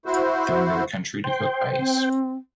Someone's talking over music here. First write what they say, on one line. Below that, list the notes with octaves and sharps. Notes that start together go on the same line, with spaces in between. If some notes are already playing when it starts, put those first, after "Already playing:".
Going to the country to cook rice.
E4 F#4 C5
C5 G5
C4